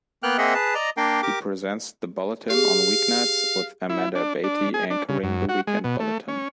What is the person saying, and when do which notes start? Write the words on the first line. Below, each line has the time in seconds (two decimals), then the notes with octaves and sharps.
He presents the bulletin on weeknights, with Amanda Abate anchoring the weekend bulletin.
0.23 A#3 B3 G5 F6 F#6
0.38 A#3 C4 G#4 D#5 E5 F#5
0.54 G#4 B4 A5
0.75 D5 D#5 A#5
0.97 A#3 D4 A#4 F5 G5
1.23 G4 A#4 D6
2.50 G4 G#4 F5
3.90 E4
4.15 D4
4.44 D4
4.74 G#4
4.90 D4
5.09 C#3
5.23 F#2
5.49 F#4
5.67 G#3
5.84 B2
6.00 A3
6.28 C#4